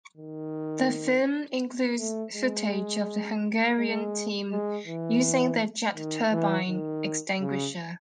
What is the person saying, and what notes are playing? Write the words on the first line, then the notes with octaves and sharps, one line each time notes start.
The film includes footage of the Hungarian team using their jet turbine extinguisher.
D#3
A3
G#3
G#3
G#3
E3
D#3
E3
D#3
C#3